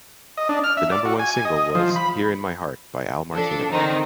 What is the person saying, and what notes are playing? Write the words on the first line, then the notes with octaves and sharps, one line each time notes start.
The number-one single was "Here in My Heart" by Al Martino.
D#5
D4
F6
E5
D5
F#4
G#5
D#5
F3
B5
F3 D4 A4
D3 D#3 C4 D#4